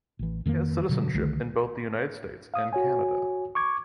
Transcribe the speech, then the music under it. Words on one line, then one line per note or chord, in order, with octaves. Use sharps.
He has citizenship in both the United States and Canada.
A1 E3
F2 D#3 G3 A#3
B2 D3 F#3
C2 D3 D#3 A3
F5 D#6
F#4 C#5 G#5
C#6 D6 G#6